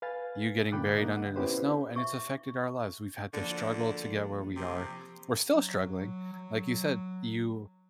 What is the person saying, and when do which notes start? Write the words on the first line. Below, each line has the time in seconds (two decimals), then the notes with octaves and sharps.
you getting buried under the snow, and it's affected our lives, we've had to struggle to get where we are, we're still struggling, like you said, you
0.02 B4 F5 G#5 A6
0.72 A#2 D3 G5 B5 D6 F#6
0.98 A#3 D#4
1.13 F#5
1.36 B3 C#4 E4 G4 B4 C5
1.96 E5 C#6
3.34 D3 F3 A#3 F#5
4.56 C3
5.55 F#3
6.32 F#3